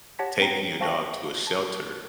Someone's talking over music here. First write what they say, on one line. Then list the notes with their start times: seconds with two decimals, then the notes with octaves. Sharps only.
taking your dog to a shelter
0.19 G4 C#5 F#5 A5 A#6 B6
0.41 C4 G5 A#5 A#6
0.80 C5 F5 G5 A5 C#6 A#6
1.47 A5